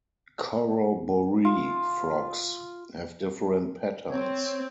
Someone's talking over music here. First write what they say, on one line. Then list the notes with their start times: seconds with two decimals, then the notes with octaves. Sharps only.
Corroboree frogs have different patterns.
1.45 F4
4.11 C4 C#5